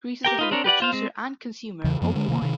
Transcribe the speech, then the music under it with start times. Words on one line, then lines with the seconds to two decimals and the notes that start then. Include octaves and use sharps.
Greece is a heavy producer and consumer of wine.
0.25 G4 A#4 G5
0.39 D#4 F4 B4
0.51 C4 D4 A#4 C#5
0.64 G4 B4 D5 F#5
0.80 F4 C5 F5
0.93 G#3 C4
1.84 E2 C#3 E3
2.02 F#2 F3 B3
2.15 D3 G#3
2.28 C3 D#3 G#3 A#3
2.42 C3 D#3